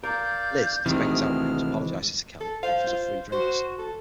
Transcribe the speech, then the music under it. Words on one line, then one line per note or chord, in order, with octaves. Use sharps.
Liz, to Becky's outrage, apologises to Kelly and offers her free drinks.
A#4 D5 F5 G6
D2 C3 D#3 E3 G#3 C4 G#4 F6
A4
C5 F5
F4
F#4 C5
A4